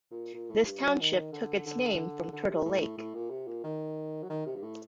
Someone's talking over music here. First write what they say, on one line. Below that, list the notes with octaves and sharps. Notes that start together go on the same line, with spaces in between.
This township took its name from Turtle Lake.
A#2
A#2
A2
G2
F#3
D#3
D3
D3
D3
C3
A2
A2
A2
A#2
C3
A#2
D#3
F#3
D#3
C3
G2
A2